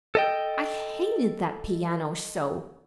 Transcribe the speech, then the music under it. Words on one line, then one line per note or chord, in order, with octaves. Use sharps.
I hated that piano so!
A4 D#5 G5